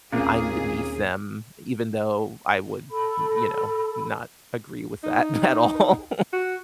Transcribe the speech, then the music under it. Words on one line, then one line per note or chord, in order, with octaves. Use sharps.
I'm beneath them, even though I would m you know, not agree with that at all.
D#2 A#2 A#3 C4 C#4 G#4
A4 B5
D#4
F#4